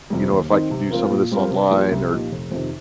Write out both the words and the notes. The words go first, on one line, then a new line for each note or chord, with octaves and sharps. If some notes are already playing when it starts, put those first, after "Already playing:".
you know, if I could do some of this online or
F2 C3 G3
D#2
D#3 C4 D#4
C3
F3 C4 F4 A#4
A#2
G3 C4 F4 A#4
C3
F3 A#3 G4
C2
A#2 F3 D#4 G4
F1
F2 C3 D#3